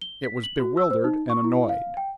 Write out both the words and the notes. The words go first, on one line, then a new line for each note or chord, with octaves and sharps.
It was bewildered and annoyed.
G7
B6
F#7
F#4
E6
C5
D#4
C#6
E4
F5
G5